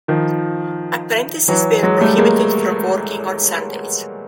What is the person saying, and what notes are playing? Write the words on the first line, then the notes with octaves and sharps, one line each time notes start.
Apprentices were prohibited from working on Sundays.
D#3 F3
E3 F#3
F#3 G#3
G3 A3
G#3 A#3